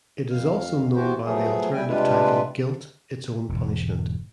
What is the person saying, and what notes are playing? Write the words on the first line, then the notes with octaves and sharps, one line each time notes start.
It is also known by the alternative title Guilt Its Own Punishment.
F2 F5
E3 B3 F#4 G4 C5
F3 F#3 A3 B3 G#4
G3 E4 G5 G#5
C3 G3 G#3 D4 F4 B4
E1 G#2